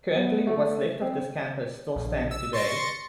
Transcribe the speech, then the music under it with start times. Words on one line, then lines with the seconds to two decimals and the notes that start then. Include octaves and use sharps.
Currently, what's left of this campus still stands today.
0.16 B3
0.47 A3
1.02 C4
1.96 A#1
2.31 E6
2.53 C6 C#6 A6 A#6 C#7 D7